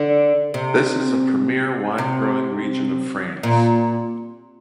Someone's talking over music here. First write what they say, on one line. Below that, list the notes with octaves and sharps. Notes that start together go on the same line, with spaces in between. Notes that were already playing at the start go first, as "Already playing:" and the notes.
This is a premier wine-growing region of France.
Already playing: D3
C3
C3
A#2